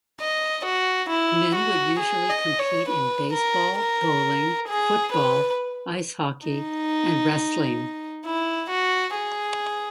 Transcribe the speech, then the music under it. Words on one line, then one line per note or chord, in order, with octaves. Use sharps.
Men would usually compete in baseball, bowling, football, ice hockey, and wrestling.
D#5
F#4
E4
F#4
G#4
D#5
C#5
B4
A#4
A#4
G#4
B4
D#4
E4
F#4
G#4